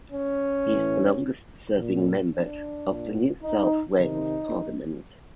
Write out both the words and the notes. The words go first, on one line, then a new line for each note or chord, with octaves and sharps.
He is the longest-serving member of the New South Wales parliament.
C#4
A2 E3
A#2
D4
A#2
D#4
C3 D#3 D#4